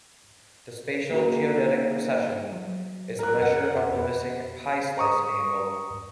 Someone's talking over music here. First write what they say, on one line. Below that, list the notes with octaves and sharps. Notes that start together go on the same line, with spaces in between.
The spatial geodetic precession is a measure of the missing "pie-slice" angle.
A#3 B3 D#4 F4 F#4 B4
F#3
A#4 F#6
F#2 F#5
F2 B3
A#5 C#6 D#6